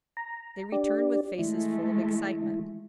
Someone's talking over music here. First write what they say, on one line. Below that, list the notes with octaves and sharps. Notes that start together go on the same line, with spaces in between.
They returned with faces full of excitement.
A#5
D4 G4 D5
E3 G#3 A3 E4